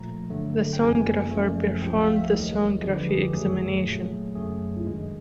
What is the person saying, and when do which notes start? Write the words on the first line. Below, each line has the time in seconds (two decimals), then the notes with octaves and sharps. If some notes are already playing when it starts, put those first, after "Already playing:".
The Sonographer performed the Sonography examination.
Already playing: A#2 F3 A3 A#5
0.30 G2 D3 F#3 A3
0.73 G5
0.80 F#2 C#3 E3 G3 G#5
1.31 F#2 C#3 F3 A3
1.82 C2 C3 F3 G#3 G5
1.99 F5
2.16 E5
2.33 D#2 D#3 F#3 D#5
2.83 F2 D3 F3 G#3 D5
2.96 B4
3.09 G#4
3.22 G4
3.34 F#2 D#3 F#3 A3 G#4
3.85 A#2 F#3 A3
4.35 F#2 C#3 F#3 A3 G#4
4.86 G2 D#3 G#3